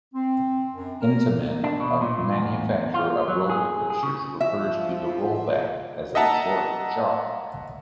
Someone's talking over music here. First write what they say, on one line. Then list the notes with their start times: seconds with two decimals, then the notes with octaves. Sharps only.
Intamin, a manufacturer of roller-coasters, refers to the "rollback" as a "short shot".
0.14 C4
0.74 F#2
1.01 A#4
1.64 D4
1.80 B2
2.01 A#2
2.35 E2
2.94 F4
3.28 F#3
3.49 G#4
3.90 G#4
4.03 C#3
4.40 F3 F4 E5
6.15 D#5 E5 F#5 A5 A#5